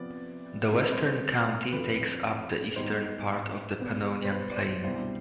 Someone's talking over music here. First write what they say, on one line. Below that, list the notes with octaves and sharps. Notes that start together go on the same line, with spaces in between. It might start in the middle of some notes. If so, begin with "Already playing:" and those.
The western county takes up the Eastern part of the Pannonian Plain.
Already playing: C3 F3 B3 D5
C3 G3 C4 D#4 C5
B4
C5
F2 D3 F3 B4
G#2 G3 B3 D#4 C5
B2 B3 D4
C5
B4
D5
C5
C2 B2 G3 D4 C5